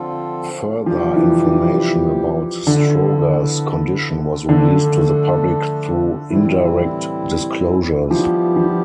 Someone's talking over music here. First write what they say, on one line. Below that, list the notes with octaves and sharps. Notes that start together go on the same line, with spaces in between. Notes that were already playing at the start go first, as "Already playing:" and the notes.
Further information about Stroger's condition was released to the public through indirect disclosures.
Already playing: D3 F3 C4 F4 A4
C3 F3 G3 C4 G4
E3
E3
D3 F3 B3 E4 A4
D3 F3 A3 D4 A4
A2 E3 G3 C4 E4
F3 G3 B3 E4 G4
F3